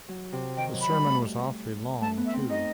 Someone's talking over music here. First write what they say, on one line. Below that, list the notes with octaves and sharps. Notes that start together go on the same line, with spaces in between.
The sermon was awfully long, too.
F#3
C3
D#3 G5
F#3
B5
G3
A3
A3 A5
B3
E5
C4
D#4 D#5